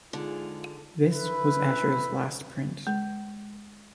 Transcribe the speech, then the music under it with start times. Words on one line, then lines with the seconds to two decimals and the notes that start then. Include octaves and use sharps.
This was Escher's last print.
0.13 G#2 D3 F4 G#4
1.07 E4 B4
2.87 G#3